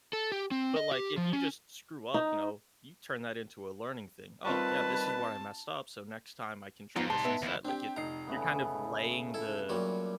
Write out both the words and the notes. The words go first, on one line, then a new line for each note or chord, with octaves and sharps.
But, like, if you just screw up, you know, you turn that into a learning thing. Oh, yeah, this is where I messed up, so, next time I can try this instead. Like, it you're kind of laying the,
A4
G4
C4
D#5
G4
F3
C#4
D#4
D#3 G3 C4 F4 B4 A5 C#6
F2 B3 D#4 F4
C2 D#4 A5 C6
B3 B4 E5
D#2 E4
C4 D4 G4
F1 D#4 A#5 C7
C#3 A3 B3
E4 A4
A#2 F#3 G3 F#4